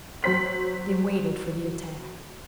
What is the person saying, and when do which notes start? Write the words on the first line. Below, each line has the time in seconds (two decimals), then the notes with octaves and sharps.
They waited for the attack.
0.23 F#3 C5 B6 F#7